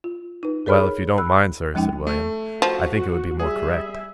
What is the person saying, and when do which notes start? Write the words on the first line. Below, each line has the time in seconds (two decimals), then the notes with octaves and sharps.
'Well, if you don't mind, sir,' said William, 'I think it would be more correct.'
0.04 F4
0.43 D#4 B4
0.66 G#4 A#4 C#5 B5 F6
1.18 B5 E6 F#6
1.74 F2 F3 G#3 C#4 D#4 G5
2.07 A3
2.62 F3 F#4
3.40 G3 G#4 E5